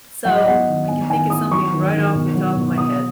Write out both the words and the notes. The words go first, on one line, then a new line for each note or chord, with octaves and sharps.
So, I can think of something right off the top of my head.
F#3 F#5
D#5
B3 F#5
D#3
B3 G#5
D#3 G#5
B3 D#6
F#3 C#6
D#3
D#3
B2
F#3
B2
B3 D#6